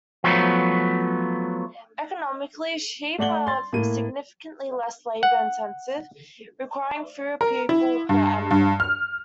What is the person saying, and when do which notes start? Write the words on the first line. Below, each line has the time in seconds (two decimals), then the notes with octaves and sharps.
Economically, sheep are significantly less labour-intensive, requiring fewer people per animal.
0.24 F3 F#3 A3 B3
3.18 A3 D5 F#5 F#7 G7
3.47 C6 A6
3.73 A2 A#3 D#7
5.23 F#5
7.41 A#4
7.69 E4
8.09 G2
8.51 G2
8.80 F6